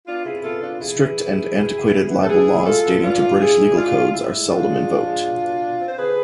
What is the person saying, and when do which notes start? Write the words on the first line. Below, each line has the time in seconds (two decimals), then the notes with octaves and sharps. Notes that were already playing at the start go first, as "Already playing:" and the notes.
Strict and antiquated libel laws dating to British legal codes are seldom invoked.
0.07 B3 D4 F4
0.25 C3 E4 G#4
0.44 B3 F4 A4
0.62 C3 D4 F4
0.81 E2 E4 G#4
1.00 E2
1.18 E2
1.37 E2
1.55 B2
1.74 B2
1.92 B3
2.11 B3
2.23 A4
2.29 B3 E4 G#4
2.48 B2
2.66 G#3 F4 A4
2.85 B3
3.03 E3 D4 F4
3.22 G#2
3.40 G#2 E4 G#4
3.59 E3
3.77 G#3 D4 F4
3.96 A2
4.13 A2 E4
4.33 G#3
4.51 A2 D4 F4
4.69 G#3
4.88 F3
5.06 G#3
5.25 B2
5.43 B2
5.62 B2
5.80 C4
5.89 C5
5.98 D3 G#4 B4